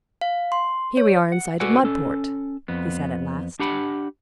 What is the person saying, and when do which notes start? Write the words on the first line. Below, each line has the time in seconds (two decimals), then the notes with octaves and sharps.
"Here we are in sight of Mudport," he said at last.
0.21 F5
0.52 C6
0.97 C#5
1.32 F#5
1.60 F#4 A4 B4 D5 F#5 G#5
1.83 C#4 A4
2.68 F2 B3
3.60 D4 G4 F#5 B5